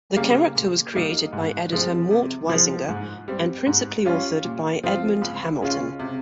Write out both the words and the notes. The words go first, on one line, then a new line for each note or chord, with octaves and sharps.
The character was created by editor Mort Weisinger and principally authored by Edmond Hamilton.
C#3 G3 A#3
A#2
G3 A#3 D#4
G#2
F3 G#3 C4
C3
F3 G#3
G#2
G3 C4
G#2
G3 C#4 F4
A#2
F3 C4 F4
C#2
C#3 G#3 C#4 F4
C3